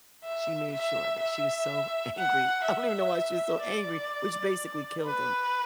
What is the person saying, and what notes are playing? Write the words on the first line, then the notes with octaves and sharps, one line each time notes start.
She made sure of it, she was so angry I don't even know why she was so angry, which basically killed him,
E5
E5
E5
F#5
E5
D5
B4